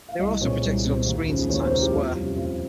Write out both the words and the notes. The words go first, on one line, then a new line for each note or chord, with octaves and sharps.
They were also projected on screens in Times Square.
F5
C2 D#5
A#2 G#3 C4 C#5
C2
A#2 G#3 C4
D#2
C#3 F3 G#3
D#2 C#5
C5
C#3 F3 G#3 A#4
G4
F2 F4
C3 G3 C#4
F2 F4